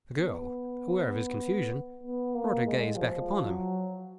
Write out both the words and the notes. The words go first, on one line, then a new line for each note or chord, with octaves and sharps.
The girl, aware of his confusion, brought her gaze back upon him.
B3
B3
A#3
G#3
F3
F#3